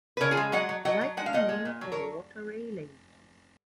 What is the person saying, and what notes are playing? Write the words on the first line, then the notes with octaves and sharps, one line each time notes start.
Likely named for Walter Raleigh.
B4
C#3 A#4 C#5
F4 G#4
G#3
F#3 D#5 F#5
F#3
F#3 D#5 F#5
F#3
G#3 F#5
F5
A#2 D#5 F#5
G#3
A#2
F#3
A#4 C#5